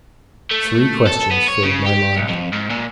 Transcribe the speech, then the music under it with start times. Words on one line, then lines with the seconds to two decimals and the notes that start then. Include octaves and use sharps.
Three questions filled my mind.
0.51 A3
1.07 A4
1.31 B3
1.48 C#5
1.62 C#3
1.86 G4
2.17 B1
2.29 F2
2.53 G#2
2.70 A#2